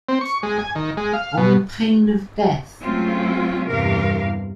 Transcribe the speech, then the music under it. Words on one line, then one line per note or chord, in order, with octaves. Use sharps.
On pain of death.
C4
C#6
G#3
G#5
D#3
G#3
F5
B2
F#3 G#3 A3 C4 C#4 F4
E2 G2 C3 E3 A#4 F5